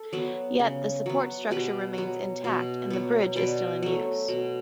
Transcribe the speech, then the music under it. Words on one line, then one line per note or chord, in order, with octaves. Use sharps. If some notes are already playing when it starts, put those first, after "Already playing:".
Yet, the support structure remains intact and the bridge is still in use.
Already playing: A4
F#3 B3
C#3
F#3 B3
B2 G4 B4
F#3 B3
B2
F#3 B3
B2 B4 D5
F#3 A3
B2